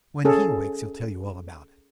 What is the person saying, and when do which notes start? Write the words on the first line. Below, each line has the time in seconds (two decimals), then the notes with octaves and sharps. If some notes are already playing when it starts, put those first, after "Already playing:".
When he wakes he'll tell you all about it.
0.25 C#4 G#4 A4